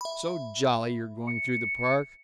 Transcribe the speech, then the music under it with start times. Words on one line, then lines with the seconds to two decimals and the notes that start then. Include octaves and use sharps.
"So jolly you're going through the Park."
0.01 E5 B5
1.27 C#7